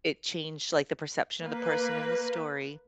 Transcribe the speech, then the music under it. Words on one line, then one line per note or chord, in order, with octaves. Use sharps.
It changed, like, the perception of the person in the story,
A#3 B4